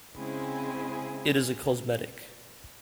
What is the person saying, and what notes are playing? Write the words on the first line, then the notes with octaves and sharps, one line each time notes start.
It is a cosmetic.
C#3 G#3 C4 E4 G#4